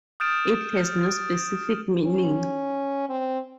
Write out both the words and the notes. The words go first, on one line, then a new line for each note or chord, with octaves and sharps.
It has no specific meaning.
D#6 F6 G6 A6 D7 E7
C#4
C4